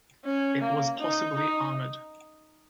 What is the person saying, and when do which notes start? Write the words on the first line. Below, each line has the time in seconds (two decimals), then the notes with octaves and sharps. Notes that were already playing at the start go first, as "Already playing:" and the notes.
It was possibly armoured.
0.24 C#4
0.61 A#3
0.99 D#4
1.35 D#4